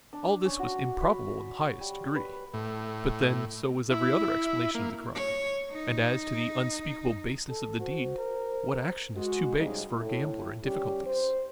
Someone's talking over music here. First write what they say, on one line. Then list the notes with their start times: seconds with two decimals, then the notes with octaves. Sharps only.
All this was improbable in the highest degree, but then so was every other explanation of the crime; and as to the unspeakable baseness of the deed, what action is too base for a gambler in difficulties?
0.13 D4
0.45 C#4
0.59 F#4
1.01 B5
1.80 G3
2.15 B4
2.54 A2
3.90 E4
4.75 A#3
5.15 C#5
5.71 D#4
7.49 A4
7.79 F#4 C5
8.18 A#4
9.16 G#3 F#4
9.56 G#2 C#3 G3 G#3 D#4
9.91 A2
10.64 G3 C#4 G4
11.06 C5